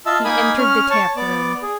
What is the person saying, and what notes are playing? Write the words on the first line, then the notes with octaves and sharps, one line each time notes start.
He entered the tap-room.
F4 D#5 E5 A5 E6
A#3 D#4 A#4 G#5 B5 D#6
C#4 F6
C#5 A5 C#6
B3 D5 D6
G#4